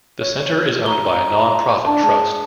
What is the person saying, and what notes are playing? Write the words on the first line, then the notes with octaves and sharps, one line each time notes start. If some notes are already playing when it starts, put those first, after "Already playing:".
The centre is owned by a non-profit trust.
C#5
A#5 G7
D4 A5
G#3